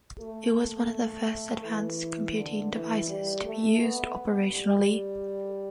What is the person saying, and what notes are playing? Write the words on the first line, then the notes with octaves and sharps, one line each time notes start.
It was one of the first advanced computing devices to be used operationally.
A3
E3
D3
E3
G3
A3
B3
G3